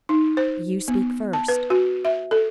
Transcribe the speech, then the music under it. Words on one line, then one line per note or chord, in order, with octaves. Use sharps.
"You speak first."
D#4
C5
B3
A5
B4
F#4
E5
A4